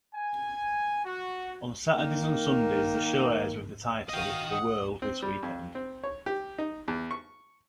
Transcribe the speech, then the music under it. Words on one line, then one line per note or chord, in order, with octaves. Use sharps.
On Saturdays and Sundays, the show airs with the title The World This Weekend.
G#5
F#4
D#3 A#3 A#4
F#4 D#5 F5 G5 D#6
F#5 D#6
C4
G3
F2
C4
C#5
G4
D#4
E2
C#6